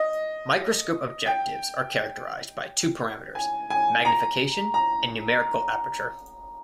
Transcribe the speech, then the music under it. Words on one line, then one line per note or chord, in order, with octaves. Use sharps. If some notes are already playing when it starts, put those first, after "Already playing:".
Microscope objectives are characterized by two parameters: magnification and numerical aperture.
Already playing: D#5
G5
G#5
G#5
A#5
A#5